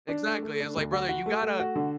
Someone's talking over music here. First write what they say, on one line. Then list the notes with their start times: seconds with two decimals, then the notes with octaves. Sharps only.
Exactly. I was, like, "Brother, you gotta
0.09 D4
0.26 A3
0.42 A3
0.60 D4
0.76 D2
0.93 F#4
1.09 F#4
1.26 A3
1.42 A3
1.60 F#4
1.76 D3